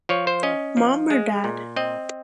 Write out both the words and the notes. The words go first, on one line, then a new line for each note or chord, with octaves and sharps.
Mom or Dad?
F3 C#5
C5
C#4 D#5
F3
G#3
A#2
C4 D#5